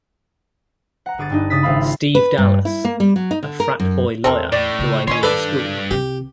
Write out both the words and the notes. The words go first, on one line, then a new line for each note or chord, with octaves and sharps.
Steve Dallas...a frat-boy lawyer who I knew in school.
F#5 A#5
G1 G#4 D6 A6
G2 D4 D#4
C#3 D#6 A6 B6
G#1 E4 F5 B5
F4
B4
G2
E4
A#3
G3
F#3
D#4
D3
A#4
F#2
E2 C4 A4 A#4
A2 D5
C#3 F4
D#3 C#4 C#5 D#5 C6
G2 D4 A4 B4 D5
C2 C4 G4